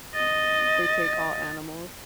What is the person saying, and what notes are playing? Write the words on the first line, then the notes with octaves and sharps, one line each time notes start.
they take all animals.
D#5 A6